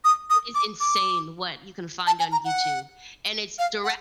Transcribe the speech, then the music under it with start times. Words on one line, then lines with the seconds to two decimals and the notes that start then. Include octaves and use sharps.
it is insane what you can find on YouTube, and it's direct
0.04 D#6
0.30 D#6
0.55 D6
0.80 D6
2.07 A5
2.19 G#5
2.32 A#5
2.45 F#5
3.59 F5
3.84 F#5